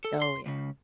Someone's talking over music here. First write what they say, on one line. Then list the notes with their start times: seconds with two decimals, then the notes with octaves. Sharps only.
Oh, yeah.
0.05 A4
0.22 C6
0.46 C#2 C#3